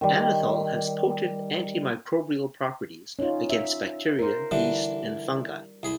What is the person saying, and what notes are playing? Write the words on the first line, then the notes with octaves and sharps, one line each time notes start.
Anethole has potent antimicrobial properties, against bacteria, yeast, and fungi.
D#3 G3
C#4 D#4 F4
E5
A#4 C5
D3 E3 G3 D4
C2 G#4 B5